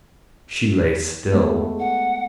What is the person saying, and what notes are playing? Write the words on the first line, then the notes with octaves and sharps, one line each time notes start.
She lay still.
G#3 A3 B3
F#5